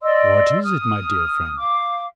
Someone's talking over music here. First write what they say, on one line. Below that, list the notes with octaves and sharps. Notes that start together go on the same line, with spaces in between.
"What is it, my dear friend?"
D5 D#5 C6 E6
D#6 F6
F5 D6